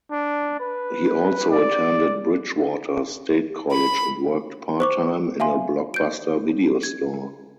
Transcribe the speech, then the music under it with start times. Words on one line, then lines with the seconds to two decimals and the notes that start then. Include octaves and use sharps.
He also attended Bridgewater State College and worked part-time in a Blockbuster video store.
0.11 D4
0.60 B4
1.51 D5
3.72 B5
4.80 C5 C#6 D6
5.40 E5 F5 G#5 C6
5.94 G6 D7
6.83 G#6